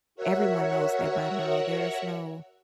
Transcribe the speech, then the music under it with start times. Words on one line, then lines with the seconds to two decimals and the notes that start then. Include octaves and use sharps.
everyone knows that by now, there is no
0.15 F#4 A#4 C#5 E5 F#5